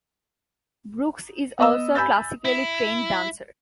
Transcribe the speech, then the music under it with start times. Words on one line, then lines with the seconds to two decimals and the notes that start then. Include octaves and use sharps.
Brooks is also a classically trained dancer.
1.59 B3 D#5 E6
1.95 G#5 B5 E6 G6 A6
2.45 E4